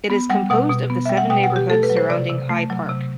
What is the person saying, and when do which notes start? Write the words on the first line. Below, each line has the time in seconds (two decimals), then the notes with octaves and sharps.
It is composed of the seven neighbourhoods surrounding High Park.
0.10 B3
0.30 G3 F#5
0.50 B2 F#5
0.69 B2
0.90 B3
1.05 G3 E5
1.17 F#5
1.30 B2 G5
1.43 F#5
1.50 B2
1.56 G4
1.70 A3 A4
1.83 B4
1.90 F#3
1.97 C5
2.10 C3 D5
2.29 C3
2.50 A3
2.70 F#3
2.89 C3